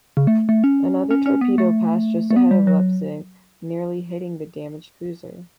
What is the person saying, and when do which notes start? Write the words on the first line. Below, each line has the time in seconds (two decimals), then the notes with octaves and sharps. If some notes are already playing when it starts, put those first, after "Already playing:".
Another torpedo passed just ahead of "Leipzig", nearly hitting the damaged cruiser.
0.17 C#3
0.27 A3
0.49 A3
0.64 C#4
1.11 C#4
1.26 C#4
1.41 B3
1.58 A3
2.31 A3
2.36 B3
2.51 G3
2.67 F#3